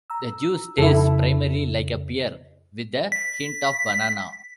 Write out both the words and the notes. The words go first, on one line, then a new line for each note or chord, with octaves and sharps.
The juice tastes primarily like a pear, with a hint of banana.
A#5 E6
F2 C#3 E4 A4
B6